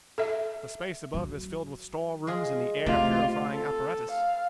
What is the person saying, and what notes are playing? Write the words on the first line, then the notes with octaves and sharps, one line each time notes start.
The space above is filled with storerooms and the air purifying apparatus.
A4 E5
F#3
G#3 F4 G#4
C3 A3 F4
A4
F5